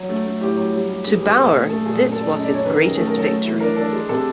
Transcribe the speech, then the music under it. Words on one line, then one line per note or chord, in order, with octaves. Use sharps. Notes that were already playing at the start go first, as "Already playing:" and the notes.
To Bauer this was his greatest victory.
Already playing: F#3
A3
A3
A2 G4
F#3
G3
G3
G2 G#4
G2 G4
A#2 G#4
A3
A3 A4
A#2 G#4
F#2 G#4
A4
G#3
D5
F#2 D#5
D5
F#2
C#5
D#3 B4
A#4
F#2
G#4
A3 A4
A#4
F#3
A4
A3
E3
D4 A#4
D4 A4
G#3
C3 A4